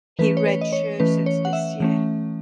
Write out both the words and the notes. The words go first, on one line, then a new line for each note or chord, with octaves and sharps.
He redshirted this year.
E3 A3 C#4 B4
C#5
B4
D#5
C#5
E3 A3 C#4 B4
C#5
F#5
E5
E3 A3 C#4